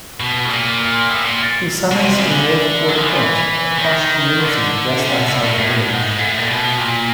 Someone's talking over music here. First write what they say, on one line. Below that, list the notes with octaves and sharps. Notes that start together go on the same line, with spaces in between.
He summers in Northport Point, a posh community just outside the village.
B2
A2
A#2
A2
A#2
B2
C3
C#3
D3
F#3
F3
E3
F3
E3
D#3
D3
C#3
C3
B2
A2
A2
A2
G#2
A2
A#2
B2
A#2